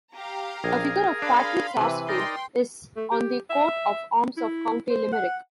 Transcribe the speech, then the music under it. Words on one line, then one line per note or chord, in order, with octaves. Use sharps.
A figure of Patrick Sarsfield is on the coat of arms of County Limerick.
G4 F5 A#5
A#1 G#4 A#4
D4 F5 B5 C6
C3 E3 B4
D#4 A#4 D5 G5 C6
A3
G4
E5
E4
C5
F#5